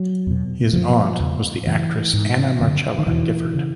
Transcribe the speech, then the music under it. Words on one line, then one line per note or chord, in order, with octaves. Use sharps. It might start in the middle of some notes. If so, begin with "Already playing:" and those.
His aunt was the actress Anna Marcella Giffard.
Already playing: F#3
E2 B2
F#2 C#3 F3
E2 C#3
F#2 C#3 E3
G#2
F#2 D3
D#3
E2 B2 E3
C#3